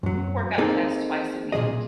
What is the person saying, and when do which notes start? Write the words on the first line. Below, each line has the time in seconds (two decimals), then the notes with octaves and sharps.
group workout class twice a week,
0.03 F#2 F#3
0.58 A#3 C4 D#4 G#4 A4
1.52 B1 A#2 D#3 G#4 D#5